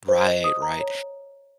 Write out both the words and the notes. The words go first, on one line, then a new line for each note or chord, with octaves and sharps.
Right, right.
C5
D#5
D#6
A#5
C#5